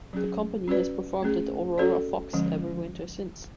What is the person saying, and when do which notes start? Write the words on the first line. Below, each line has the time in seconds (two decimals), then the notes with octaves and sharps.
The company has performed at the Aurora Fox every winter since.
0.13 F#3 C#4 G#4
0.68 C#4 F#4 B4 D5
1.23 A3 C#4 G#4
1.78 C#4 F#4 A4 D5
2.33 D3 F3 G#3 C#4